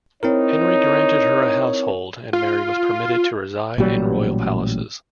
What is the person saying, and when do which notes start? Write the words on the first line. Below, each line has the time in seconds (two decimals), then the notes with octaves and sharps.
Henry granted her a household and Mary was permitted to reside in royal palaces.
0.23 C4 D#4 E4 A#4 C#5
2.33 F4
3.78 A1 A#2 F#3 G3